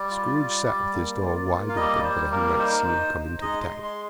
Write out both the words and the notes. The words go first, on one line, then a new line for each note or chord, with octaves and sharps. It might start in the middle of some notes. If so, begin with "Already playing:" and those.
Scrooge sat with his door wide open, that he might see him come into the Tank.
Already playing: G3 D5
F4
G3
G3
A#3
F4
A#3
F5
G3 D#5
D5
G3 C5
A#3 A#4
D#4 C5
A#4
D#4 C5
D#4
G#3 D#5
C6
G#3
C6